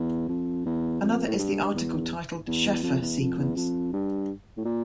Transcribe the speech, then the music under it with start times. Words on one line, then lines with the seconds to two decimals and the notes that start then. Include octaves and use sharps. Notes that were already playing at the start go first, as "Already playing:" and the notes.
Another is the article titled Sheffer sequence.
Already playing: E2
0.29 F2
0.66 E2
1.01 F2
1.27 A2
1.39 G2
1.75 E2
2.47 E2
2.83 F2
3.02 E2
3.20 F2
3.38 E2
3.56 F2
3.93 G2
4.57 A2
4.65 A#2